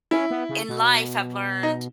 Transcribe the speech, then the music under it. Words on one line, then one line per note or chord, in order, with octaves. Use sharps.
in life, have learned
C#4 E4
B3
C#3
B2
D#4